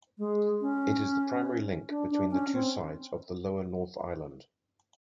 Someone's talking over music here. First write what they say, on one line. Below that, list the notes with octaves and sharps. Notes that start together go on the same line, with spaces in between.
It is the primary link between the two sides of the lower North Island.
G#3
C#4
D4
D4
C#4
C4